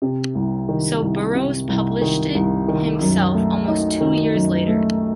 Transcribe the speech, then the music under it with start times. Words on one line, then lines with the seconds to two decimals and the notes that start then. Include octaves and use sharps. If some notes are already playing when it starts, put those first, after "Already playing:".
So Burroughs published it himself almost two years later.
0.02 C3
0.35 C2
0.69 D#3
1.01 C2
1.35 C3
1.68 C2
2.01 D#3
2.35 C2
2.68 D#3
3.01 F#2
3.34 A3
3.68 D#4
4.01 D#3
4.35 F#2
4.68 A3